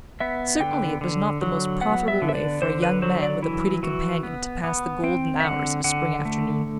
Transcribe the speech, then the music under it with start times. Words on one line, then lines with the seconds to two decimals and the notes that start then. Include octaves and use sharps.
Certainly it was not the most profitable way for a young man with a pretty companion to pass the golden hours of a spring afternoon.
0.20 B3 E5
0.60 D3 G5
1.01 D3
1.42 F#3
1.81 B3 F#5
2.08 E5
2.22 D3
2.29 E5
2.35 D5
2.62 D3 C5
2.82 B4
3.02 F#3 C5
3.23 D5
3.43 E3 E4
3.83 E3 F#4
4.23 B3
4.64 B3
5.04 C4 G5
5.40 E5
5.44 D3 F#5
5.84 D3 F#5
6.25 A3